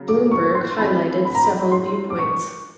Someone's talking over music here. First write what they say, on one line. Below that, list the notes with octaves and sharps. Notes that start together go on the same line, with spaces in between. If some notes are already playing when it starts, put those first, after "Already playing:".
"Bloomberg" highlighted several viewpoints.
Already playing: C#3 F#3 A#3
D6
C#6
C6
E3 G#3 C4 F4 B5
B5
A#5
B5
C6
D6
C#6